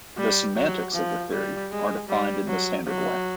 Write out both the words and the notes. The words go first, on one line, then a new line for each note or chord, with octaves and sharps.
The semantics of the theory are defined in the standard way.
G3
F#3
F3
G3
G#3
G3
F#3
F#3